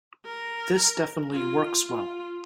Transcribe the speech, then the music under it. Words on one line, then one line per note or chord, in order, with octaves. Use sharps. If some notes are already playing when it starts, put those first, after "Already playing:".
This definitely works well.
A#4
F4
F4